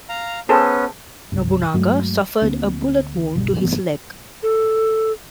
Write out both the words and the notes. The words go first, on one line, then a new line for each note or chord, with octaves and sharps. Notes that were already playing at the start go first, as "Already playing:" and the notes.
Nobunaga suffered a bullet wound to his leg.
F5 A#5
B3 C#4 G#4 A4 C5
F#1 C2 G2
G2 F#3 G#3 A3
D2 D3 A#3 C4
G1 C2 B2 G3
G1 E3 A3 B3
A4